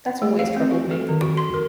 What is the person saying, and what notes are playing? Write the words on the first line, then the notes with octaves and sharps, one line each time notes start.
That always troubled me.
A3
F5
C4
F#4
A4
D#3
F#4
C6
A#4